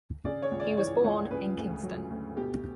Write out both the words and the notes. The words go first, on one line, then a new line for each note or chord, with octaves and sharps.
He was born in Kingston.
C#3 D5
C#5
C#2
D5
E3 C#5
C#2 C#5
C#3 B4
D2
F#3
D2
B2 G4